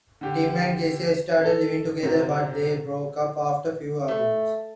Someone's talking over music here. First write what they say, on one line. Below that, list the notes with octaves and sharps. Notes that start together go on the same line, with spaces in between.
Tim and Geisa started living together but they broke up after a few arguments.
D3 G4
A4
G#2 C3 F#3 C4
A3